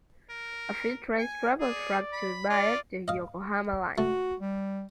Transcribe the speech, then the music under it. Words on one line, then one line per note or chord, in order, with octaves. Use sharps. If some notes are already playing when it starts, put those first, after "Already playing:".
A few trains travel through to via the Yokohama Line.
A#4
G#5
G#4 D5
B5
F4 D5
D#5 F5
A3 F#4
G3